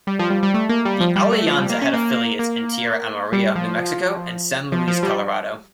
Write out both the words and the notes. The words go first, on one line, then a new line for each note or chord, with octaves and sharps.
The Alianza had affiliates in Tierra Amarilla, New Mexico and San Luis, Colorado.
G3
F3
G3
G3
A3
A#3
G3
F3
G3
A3
F3
G3
A#3
C#4
A#3
A#3
G3
F3
F3
F3
G3